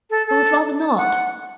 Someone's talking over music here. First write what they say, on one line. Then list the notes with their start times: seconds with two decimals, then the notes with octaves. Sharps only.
I would rather not.'
0.10 A4
0.27 A4
0.97 F#5